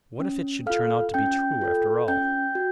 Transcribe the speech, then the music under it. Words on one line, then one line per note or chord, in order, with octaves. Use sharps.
What if it should turn out to be true after all!
C#4
F4 A4 F5 F6
C#4 G5 G6
F4 A4
C#4 G5 G6
F#4